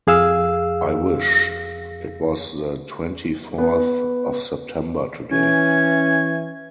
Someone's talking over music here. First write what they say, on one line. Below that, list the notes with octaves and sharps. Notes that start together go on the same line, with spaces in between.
I wish it was the twenty-fourth of September today.
F2 G#4 F5 E6
B3
E3 C#4 G#6